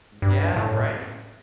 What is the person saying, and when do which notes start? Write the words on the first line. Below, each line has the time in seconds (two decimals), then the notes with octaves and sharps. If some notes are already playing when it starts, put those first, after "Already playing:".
Yeah, right?
0.22 G2
0.56 A2